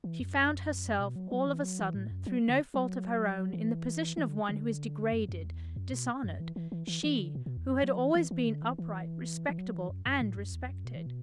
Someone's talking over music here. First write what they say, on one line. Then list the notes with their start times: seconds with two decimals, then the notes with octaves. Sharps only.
She found herself all of a sudden, through no fault of her own, in the position of one who is degraded, dishonored; she, who had always been upright, respectable, and respected.
0.04 E3
0.20 F#2
1.00 B2
1.16 F#3
1.31 F#3
1.47 E3
1.63 F#3
1.79 E3
1.95 A2
2.11 F#2
2.26 F#3
2.48 D3
2.74 F#3
3.53 E3
4.17 E3
4.28 D3
4.49 D3
5.13 F#2
5.29 F#2
5.44 E2
5.76 F#2
5.92 B2
6.24 F#2
6.40 E3
6.56 E3
6.72 E3
6.87 E3
7.03 E3
7.19 D3
7.35 B2
7.46 B2
7.57 E2
7.67 F#2
7.83 F#3
7.99 E3
8.15 E3
8.31 E3
8.47 D3
8.62 E3
8.78 E3
9.49 E3
9.58 F#3
9.74 E3
9.89 F#2
10.06 F#2
10.21 A2
10.37 F#2
10.53 E2
10.69 F#2
10.85 B2
10.96 E3
11.06 B2